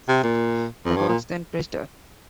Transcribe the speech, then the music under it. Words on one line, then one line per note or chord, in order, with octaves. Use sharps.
The gods then praised her.
C3
A#2
F2
G2
A#2